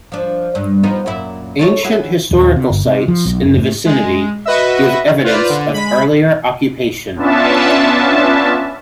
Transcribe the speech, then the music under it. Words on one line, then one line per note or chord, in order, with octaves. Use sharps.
Ancient historical sites in the vicinity give evidence of earlier occupation.
F3 D4
G2
F3 B3 D#4
F#2 A#2 E4
C4 A4 C#5
E4 F#4 G#4
D#1
C3
G1
C3
F3
B1
F#1
A2
G#3
F#4 B4 D#5 E5
F4 B4 C5 D5
D3
G#3 B5
B3 C#4 D4 F4 E5 A5